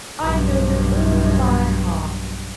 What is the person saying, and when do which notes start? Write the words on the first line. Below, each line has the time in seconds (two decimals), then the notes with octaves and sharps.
I know them all by heart.
0.20 B1 G2